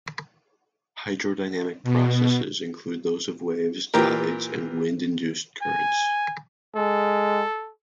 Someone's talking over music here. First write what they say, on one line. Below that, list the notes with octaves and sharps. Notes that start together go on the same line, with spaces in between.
Hydrodynamic processes include those of waves, tides and wind-induced currents.
B2
A#2 E3 G4 A#4
G#5
G#3 A4